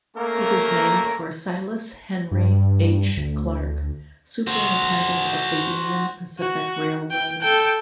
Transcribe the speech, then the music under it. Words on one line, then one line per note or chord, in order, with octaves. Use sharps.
It is named for Silas Henry H. Clark, superintendent of the Union Pacific Railroad.
A3 A#3 C#4 A#4
G2
D2
F#4 C5
F#4
G5
A4 G5